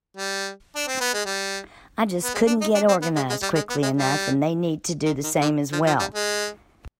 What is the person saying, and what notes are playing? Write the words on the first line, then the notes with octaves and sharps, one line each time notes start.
I just couldn't get organized quickly enough, and they need to do the same as well.
G3
D4
C4
B3
G#3
G3
B3
G#3
D4
D#4
D4
C4
B3
G#3
G#3
G3
G#3
B3
G#3
G3
D#3
D#3
D3
F3
F3
G3
G#3